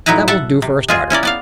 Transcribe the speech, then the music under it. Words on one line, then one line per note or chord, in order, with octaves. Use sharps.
That will do for a starter.
A2 F#3 D#4 E4 B4 A#5
A4 E5 F#5 A5
C3
G#3 F4 G#4
C#4 E4 A#4 D5
B3 D5 F5